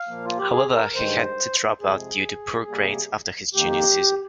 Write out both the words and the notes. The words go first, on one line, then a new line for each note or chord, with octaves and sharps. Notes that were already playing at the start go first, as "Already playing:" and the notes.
However, he had to drop out due to poor grades after his junior season.
Already playing: F5
A#2 F3 A#3
F4
G4
G#4
A#4
G2 D#3 G#3 C5
F2 C3 F3 G#3 G#4
C3 G3 A#3
F2 D#3 A#3 G4